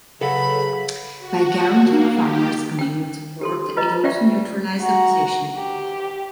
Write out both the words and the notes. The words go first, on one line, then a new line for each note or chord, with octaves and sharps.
By guaranteeing farmers continued support, it also neutralised opposition.
C#3 F#3 G#4 A4 B4 F#5 B5
F#4
A#3
G4
C#4 G5
G4 A4 C6
F4 B4 D#5 A#5
C#4 F4 D5 E5 G5 C#6
F#4 A#5
G4